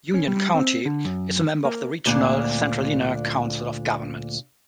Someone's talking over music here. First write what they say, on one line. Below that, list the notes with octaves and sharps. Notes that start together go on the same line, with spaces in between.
Union County is a member of the regional Centralina Council of Governments.
C#4
G3
C4
D3
F#2
A#3
D2 A#2 D4